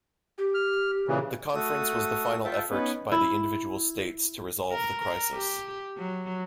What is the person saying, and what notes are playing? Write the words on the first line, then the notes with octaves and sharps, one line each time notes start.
The conference was the final effort by the individual states to resolve the crisis.
G4
F6
A#2 C#3 E3
A3 F#4 A4 D#6
F4 A4 E5 G5 A5
B3 C#4 D#4 B4
E4
A#4
G4
F#3